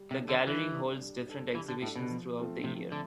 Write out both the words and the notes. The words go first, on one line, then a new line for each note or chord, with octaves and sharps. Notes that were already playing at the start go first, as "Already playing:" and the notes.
The gallery holds different exhibitions throughout the year.
Already playing: G3
C3
D4 A4
D3
E3 G3
D4 A4
G3
D4 A4
E3 G3
D3
A2 D4 A4
B2
F3
A3 C4 F4 A4
C3 F3
D3 A3